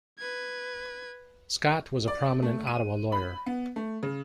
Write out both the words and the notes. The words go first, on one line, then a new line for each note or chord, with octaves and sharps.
Scott was a prominent Ottawa lawyer.
B4 G#6
D5
A3
D#7
B5
B3
A3
C#3